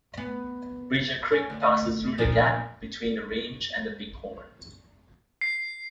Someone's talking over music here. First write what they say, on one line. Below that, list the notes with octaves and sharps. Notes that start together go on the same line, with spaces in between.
Bridger Creek passes through the gap between the range and the Bighorns.
B3
C#4
D2
A#2 F3 D4
C7